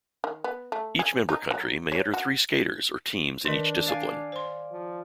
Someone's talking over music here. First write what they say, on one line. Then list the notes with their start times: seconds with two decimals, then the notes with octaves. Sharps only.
Each member country may enter three skaters or teams in each discipline.
0.24 D#3
0.44 B3
0.72 A3
0.99 G#4
1.29 D#4
1.51 F#3
1.92 C#5
2.14 F#4
3.45 D#3 D4 A#4 D#5
3.86 D5 F5 G#5
4.32 C5 C6
4.72 F3